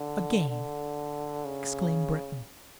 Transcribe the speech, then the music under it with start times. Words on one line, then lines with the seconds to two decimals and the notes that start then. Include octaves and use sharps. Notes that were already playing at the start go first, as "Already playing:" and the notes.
"A game!" exclaimed Breton.
Already playing: D3
0.50 D3
1.45 C#3